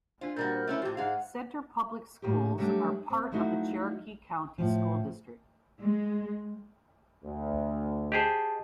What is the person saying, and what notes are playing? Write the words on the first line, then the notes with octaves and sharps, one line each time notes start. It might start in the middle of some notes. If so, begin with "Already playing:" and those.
Centre Public Schools are part of the Cherokee County School District.
D4 F4 C5
A#2 G3 F#4 A#4 G6
C5
A3 C#4 E4
A2 F3 G4
G#2 G#4 F5 F#5
A2 A#3 G4
F#3 G3 A3 C#4 D4
C4
F3 F#3 A3 D#4 E4 F#4
A2 F3
G#3
D2
G4 G#4 C5 D#5 A5